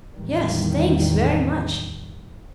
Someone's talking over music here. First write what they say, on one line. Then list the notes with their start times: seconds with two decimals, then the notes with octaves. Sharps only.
'Yes, thanks, very much.
0.17 E2 A2 D#3 G3